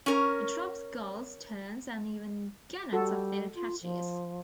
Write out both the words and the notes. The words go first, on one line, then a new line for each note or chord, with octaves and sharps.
It robs gulls, terns and even gannets of their catches.
C#4 A#4
G3 F#4 A4
F4
F3